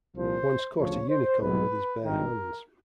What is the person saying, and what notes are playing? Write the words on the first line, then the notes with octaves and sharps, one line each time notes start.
Once caught a Unicorn with his bare hands.
C2 A#2 F3 C5
D2 C#3 F3 C#5
C5
C2 B2 F#3 B4
G#1 G2 D#3 A#4